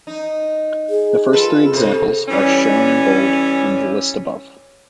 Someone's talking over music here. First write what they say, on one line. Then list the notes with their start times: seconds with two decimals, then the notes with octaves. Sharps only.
The first three examples are shown in bold in the list above.
0.07 D#4
0.89 G#4
1.33 F4 A4 B4
1.73 C3 A4
2.29 E3 G3 C#4